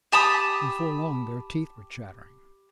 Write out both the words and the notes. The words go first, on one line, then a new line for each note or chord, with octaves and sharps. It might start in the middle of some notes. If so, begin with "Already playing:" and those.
Before long their teeth were chattering.
G4 A5 B5 D#6